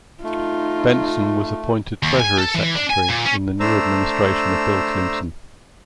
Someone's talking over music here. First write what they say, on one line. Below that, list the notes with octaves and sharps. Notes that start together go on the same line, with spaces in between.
Bentsen was appointed Treasury Secretary in the new administration of Bill Clinton.
A3 D#4 F4
D#2
G#5
A4
E3
D4
G#5
A#2
C#4
A3 D4 C5 A#5 E6